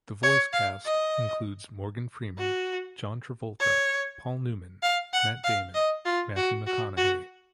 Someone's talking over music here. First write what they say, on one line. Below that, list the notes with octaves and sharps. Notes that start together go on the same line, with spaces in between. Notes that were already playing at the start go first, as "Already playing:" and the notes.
The voice cast includes Morgan Freeman, John Travolta, Paul Newman, Matt Damon, Matthew McConaughey.
C#5
F5
D#5
F#4
C#5
F5
F#5
F5
D#5
F4
F#4
F#4
F#4